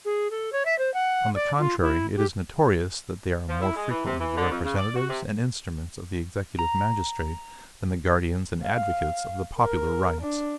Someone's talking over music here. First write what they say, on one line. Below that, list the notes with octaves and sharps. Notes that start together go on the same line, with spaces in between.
On the contrary, it is notorious, that they are more frequently the representatives and instruments of the executive magistrate, than the guardians and advocates of the popular rights.
G#4
A4
C#5
E5
C5
F#5
D5
F4
E4
G4
F3
E4
G#3
E3
C3
E3
D3
F2
C#3
D5
F#4
C3
A#5
F5
A#4
D4